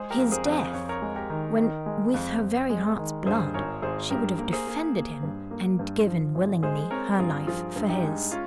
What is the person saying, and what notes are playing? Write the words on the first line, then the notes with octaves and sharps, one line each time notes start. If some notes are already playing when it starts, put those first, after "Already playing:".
His death! when with her very heart's blood, she would have defended him and given willingly her life for his.
Already playing: G#3 G#4 C5
G4 A#4
F2
G#4 C5
F2
G#4 C5
F2 C#5
A#4 C#5
G#3
G4 A#4
D#3
D#3
G#3
F2
F2
G#3
D#3
G2 G#4 C5
G#1 A#4 C#5
G#1 G#4 C5
G2 G4 A#4
A#3
G#4 C5
A#3
A#3
G2
A#3
G2
F3
G#1
G#3 G#4 C5
C4 A#4 C#5
G2 F4 G#4
F3 F4 G#4
G2
D#4 G4
G#3
C#4 F4